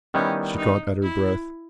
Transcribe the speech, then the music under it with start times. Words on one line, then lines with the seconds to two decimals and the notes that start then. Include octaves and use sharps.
She caught at her breath.
0.14 D#3 G3 B3 C#4 E4
0.58 D#4
1.03 E4